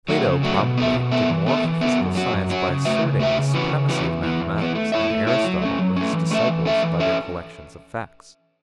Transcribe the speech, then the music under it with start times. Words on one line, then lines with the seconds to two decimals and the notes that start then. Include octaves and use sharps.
Plato probably did more for physical science by asserting the supremacy of mathematics than Aristotle or his disciples by their collections of facts.
0.08 F#3 A3 F#4
0.26 C#3
0.43 F#3 A3 F#4
0.60 B2
0.77 B3 A4 E5
0.95 B2
1.11 B3 A4 E5
1.29 E3
1.46 B3 A4 E5
1.64 E3
1.81 B3 A4 E5
1.98 F#2
2.15 F#3 C#4 F#4
2.33 F#2
2.50 F#3 C#4 F#4
2.68 C#3
2.85 A3 F#4 B4 E5
3.02 C#3
3.20 A3 F#4 B4 E5
3.37 C#3
3.54 E3 C#4 F#4 B4
3.71 C#3
3.89 E3 C#4 F#4 B4
4.06 E2
4.23 E3 B3
4.40 E2
4.58 E3 B3
4.75 A3
4.92 E4 C#5 E5
5.10 A3
5.27 E4 C#5 E5
5.44 F#3
5.62 A3 C#4
5.78 F#3
5.96 A3 C#4
6.13 E3
6.30 A3 C#4 A4 E5
6.48 E3
6.65 A3 C#4 A4 E5
6.82 E3
7.00 C#4 A4 E5